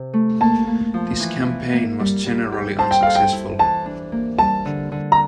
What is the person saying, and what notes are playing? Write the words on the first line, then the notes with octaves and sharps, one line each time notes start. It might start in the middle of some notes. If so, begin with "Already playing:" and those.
This campaign was generally unsuccessful.
Already playing: C3
A3
A#3 A5
A#3
F3
E3
E3
A#3
G3
G3
G4
C5 A5
G5
A4 F5
G5
E4
E3 A5
D4
A#3
G3 A5
D3
D3
A#5